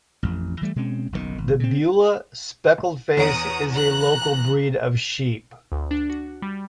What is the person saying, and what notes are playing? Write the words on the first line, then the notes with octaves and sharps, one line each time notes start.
The Beulah Speckled Face is a local breed of sheep.
A1 F2
E3 G3 A3
B2 G#3 C4 C#4
F#1 B1 A2 D#3
G#1
C#3 C4
E2 C#5 F#5 A#5 D#6 D7
A#5 F#6
D2
D4
F#4
G3